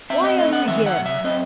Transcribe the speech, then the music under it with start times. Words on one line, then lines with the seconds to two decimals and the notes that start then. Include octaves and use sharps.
Why are you yelling?
0.10 C4 E5
0.24 D#5
0.38 A3 D#5
0.53 F#5
0.67 D#3 E5
0.86 F#5
0.96 F#2
1.06 E5
1.24 C4 D#5